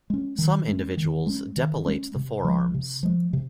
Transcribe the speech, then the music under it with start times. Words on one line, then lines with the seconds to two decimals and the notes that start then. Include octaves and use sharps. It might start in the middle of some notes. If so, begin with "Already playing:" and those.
Some individuals depilate the forearms.
0.10 G#3 C#4
0.38 D#3
0.68 G#3 C#4
0.97 D#3
1.26 G#3 C#4
1.57 D#3
1.86 G#3 C#4
2.16 C3
2.45 F3 G#3
2.74 C3
3.03 F3 G#3
3.33 C3